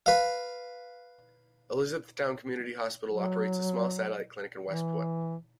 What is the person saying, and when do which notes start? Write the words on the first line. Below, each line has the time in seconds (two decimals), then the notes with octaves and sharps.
Elizabethtown Community Hospital operates a small satellite clinic in Westport.
0.06 B4 F5
3.10 F#3
4.67 E3